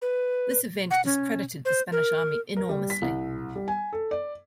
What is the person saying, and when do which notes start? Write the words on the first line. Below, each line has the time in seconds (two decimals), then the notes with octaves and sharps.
This event discredited the Spanish army enormously.
0.02 B4
0.91 F#5
1.05 C#4
1.65 C5
1.92 A#4
2.57 A#4
2.69 G3
2.90 B6
3.02 C2
3.56 G3
3.68 G#5
3.93 A4
4.11 D5